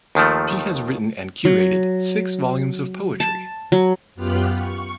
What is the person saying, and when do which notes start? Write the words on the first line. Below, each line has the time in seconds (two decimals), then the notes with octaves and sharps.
She has written and curated six volumes of poetry.
0.15 D#2 D#3 F3 A3
1.45 F#3
3.20 A5
3.72 F#3
4.15 F#2 B3 F4 G4 F6 F#6
4.53 C#6 C#7